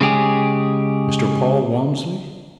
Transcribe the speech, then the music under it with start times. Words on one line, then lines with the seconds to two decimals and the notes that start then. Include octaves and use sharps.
"Mr. Paul Walmsley?"
0.01 C#3 G#3 G4 G#4